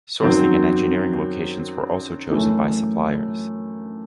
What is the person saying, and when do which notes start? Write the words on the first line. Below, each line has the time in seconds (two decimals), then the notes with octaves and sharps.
Sourcing and engineering locations were also chosen by suppliers.
0.22 F#2 D#3 F#3 C4 F#4
2.30 F#2 E3 A3